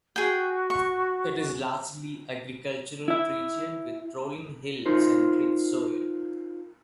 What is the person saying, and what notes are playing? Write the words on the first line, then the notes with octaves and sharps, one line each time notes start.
It is a largely agricultural region with rolling hills and rich soil.
F#4 G#4 G5
C#6
E4 E5
D#4 F4 A#4 C5